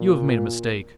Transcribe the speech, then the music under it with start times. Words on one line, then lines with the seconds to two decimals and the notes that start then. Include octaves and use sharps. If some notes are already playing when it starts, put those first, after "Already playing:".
You have made a mistake.
Already playing: A#2